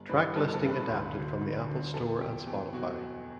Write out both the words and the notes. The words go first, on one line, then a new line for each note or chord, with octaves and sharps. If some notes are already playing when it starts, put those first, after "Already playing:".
Track listing adapted from the Apple Store and Spotify.
Already playing: G1
G2 E3 G3 B4
G1 A4
A4
G2 E3 G3
B4
D2
D3 F#3
D2
D3 F#3
E2 A4
B2 F#3 G4
E2 G4
B2 F#3 F#4